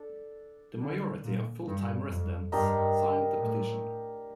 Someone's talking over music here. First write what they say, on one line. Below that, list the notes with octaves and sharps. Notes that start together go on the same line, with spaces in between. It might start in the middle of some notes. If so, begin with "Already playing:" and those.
The majority of the full-time residents signed the petition.
Already playing: D4 A4 D5
D3
A#2
G2
F2
G2 D4 G4 A#4 D#5
A2